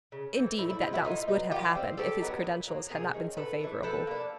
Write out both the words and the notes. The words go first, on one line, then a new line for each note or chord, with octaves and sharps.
"Indeed, that doubtless would have happened if his credentials had not been so favorable."
C#3
E3 A3 C4
A2 E4
E4
F3 G#3 D#4 F4
E4 F#4
A2 D#4 F4
F#3 B3 D#4
D#3 F4 G4
G3 C4
C#3 G4 A4
F#3 B3 D#4
A#2
F#3 A#3 D#4
C3 G#4 A#4
D#3 G#3 C#4
A2 A4 B4
E3 A3 D4
F3 A4 B4
A#3 D4